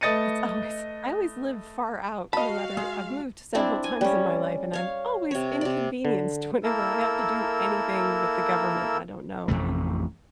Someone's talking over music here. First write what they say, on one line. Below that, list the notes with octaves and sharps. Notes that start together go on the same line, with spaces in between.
it's always I always live far out no matter I've moved several times in my life, and I'm always inconvenienced whenever I have to do anything with the government. I don't know.
A3 B4 D#5 A6 C#7 D#7
F#4 D#5 F5 A5 B5
G#3
C4 D4 E4
G#5
G3 C#4
C#5 F5
C3 C#5
C3 D5
D3
A#3 E4 A4 A#4 E6
A1 F2 C3 A3